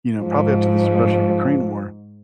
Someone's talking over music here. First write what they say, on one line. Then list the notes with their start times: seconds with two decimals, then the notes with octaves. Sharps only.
You know, probably up to this Russia-Ukraine war,
0.21 G#2 F3